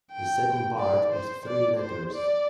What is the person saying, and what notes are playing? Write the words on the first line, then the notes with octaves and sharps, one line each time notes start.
The second part is three letters.
G5
D5
C5
D5
C5
D5